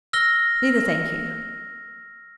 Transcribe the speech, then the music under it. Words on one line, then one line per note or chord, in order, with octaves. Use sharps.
"Neither, thank you."
E6 F6 A#6 G7